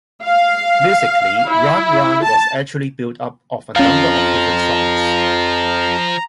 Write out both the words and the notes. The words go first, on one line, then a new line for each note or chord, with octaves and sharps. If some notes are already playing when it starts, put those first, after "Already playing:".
Musically, "Round Round" was actually built up of a number of different songs.
F5
E4
A5
F2 F3 C#4 F5 A#5